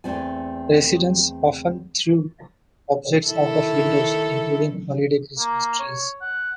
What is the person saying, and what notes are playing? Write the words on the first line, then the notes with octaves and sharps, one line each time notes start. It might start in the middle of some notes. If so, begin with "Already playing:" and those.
Residents often threw objects out of windows including holiday Christmas trees.
E2 A3 C4 D5 G#5
D#3 E4 A4
A#3
C#5
F#5